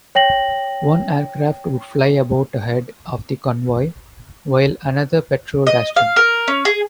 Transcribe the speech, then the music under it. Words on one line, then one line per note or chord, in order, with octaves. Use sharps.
One aircraft would fly about ahead of the convoy, while another patrolled astern.
C#5 G5 A#6 F#7
D#5
F5
A#4
C#4
G#4